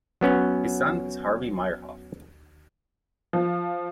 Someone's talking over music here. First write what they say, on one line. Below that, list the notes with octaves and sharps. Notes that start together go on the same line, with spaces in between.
His son is Harvey Meyerhoff.
F#3 B3 C#4
F3